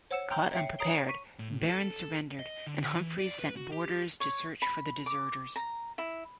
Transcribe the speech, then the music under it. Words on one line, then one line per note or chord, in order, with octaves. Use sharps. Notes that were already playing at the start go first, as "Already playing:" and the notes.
Caught unprepared, Barron surrendered and Humphreys sent boarders to search for the deserters.
C5 C#5 F#5 E6 C#7 E7
G5 A#5 C6 G6
C#5 E5 G5 C7 C#7
C#5 A#5 D#6 C7 D7 G7
C#6 B6 D#7
A2
A4
D#5
D3
E3
D5
B4
F#4
G4
C#5
B5
D6
A#5
E4